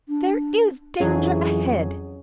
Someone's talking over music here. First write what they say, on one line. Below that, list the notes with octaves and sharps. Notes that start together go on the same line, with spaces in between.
There is danger ahead.
D4
F2 E3 F#3 C#4 G#4